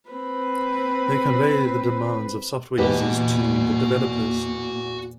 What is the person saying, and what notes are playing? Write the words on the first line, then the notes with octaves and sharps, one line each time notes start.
They convey the demands of software users to the developers.
C4 B4
E2 A#2 F#4 G4 B4 D#5